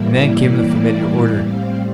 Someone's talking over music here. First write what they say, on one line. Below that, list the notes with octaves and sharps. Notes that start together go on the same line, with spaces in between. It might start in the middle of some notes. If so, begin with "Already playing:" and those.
Then came the familiar order.
Already playing: A2 E3 G3 A#3 E4
D5
A2 G3 C4 F5